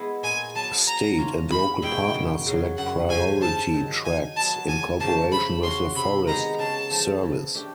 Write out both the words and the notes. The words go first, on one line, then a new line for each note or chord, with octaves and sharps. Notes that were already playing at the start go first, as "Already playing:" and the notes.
State and local partners select priority tracts in cooperation with the Forest Service.
Already playing: G#3 B3 E4
A#2 G#5
F#3 B3 A5
F#3 A#5
A3 C#4 F4 A#4
E2 B5
B2 G#3 B3 E4 G5
F#2
C#3 F#3
F#2 F#5
C#3 F3 G#5
G2 A5
D#3 F#3
D#3 G#5
F#3 B3 A5
E2 G#5
C#3 F3 A#3 A5
A3 B5
C#4 F#4 C6
C3 B5
D#3 G#3 B3 D#4 A#5
C#3 A5
F3 A3
E3
A3 D4 G4